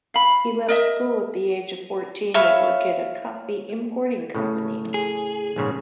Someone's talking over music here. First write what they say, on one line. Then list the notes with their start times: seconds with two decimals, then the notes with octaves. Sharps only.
He left school at the age of fourteen to work in a coffee-importing company.
0.14 F5 B5
0.68 A#4 D#5 E5
2.34 C#5 E5 F5 B5
4.35 A2 C#3
4.94 G#4
5.56 A#1 G#2 C#3